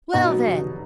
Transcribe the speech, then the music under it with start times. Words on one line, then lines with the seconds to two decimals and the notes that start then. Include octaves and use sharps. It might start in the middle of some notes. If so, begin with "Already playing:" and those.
"Well then!"
0.13 B2 D#4
0.30 F#3
0.46 F1